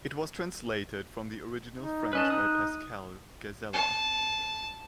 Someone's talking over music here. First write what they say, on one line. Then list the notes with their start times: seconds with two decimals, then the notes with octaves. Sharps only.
It was translated from the original French by Pascale Ghazaleh.
1.78 D#4
2.13 C#4 B4 D#5 A5
2.30 D#4 D#6 F#6
3.73 A5